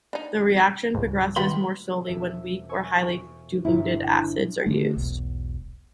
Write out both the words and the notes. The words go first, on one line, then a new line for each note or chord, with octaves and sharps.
The reaction progresses more slowly when weak or highly diluted acids are used.
D4 D#4
C#2 G#2
D#3 F#4 B4 G5 B5 C6
E1 E5 E6
G#5 C#6 E6
G1 A#2 E4
D4
D3 E3 A3
E1 B1